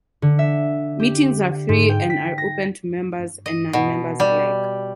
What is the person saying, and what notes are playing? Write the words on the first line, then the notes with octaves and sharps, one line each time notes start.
Meetings are free and are open to members and non-members alike.
D3
E5
G4
G#2
G5
B6
A#6
D#5
B2
G3